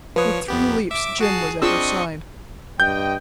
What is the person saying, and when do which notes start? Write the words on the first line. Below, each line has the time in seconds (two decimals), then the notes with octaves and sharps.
With three leaps Jim was at her side.
0.16 F3 B4 C#5 D#6
0.48 F2 B3 G4
0.91 E5 D6 D7
1.21 F#4 G#4 A5 C7
1.62 C4 D4 F4 G#4 D#5 C#6 E6
2.80 G2 D#5 G5 G6